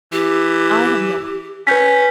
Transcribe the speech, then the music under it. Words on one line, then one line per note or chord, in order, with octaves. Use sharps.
"I have no one."
E3 G4
C#4 B4 G6 B6